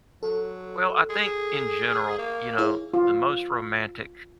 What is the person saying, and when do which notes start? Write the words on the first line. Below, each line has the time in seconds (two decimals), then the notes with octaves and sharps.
well, I think in general, you know, the most romantic
0.23 F#3 A4
1.10 G#4
2.18 A#3
2.58 E4 G#4 C#5
2.94 F4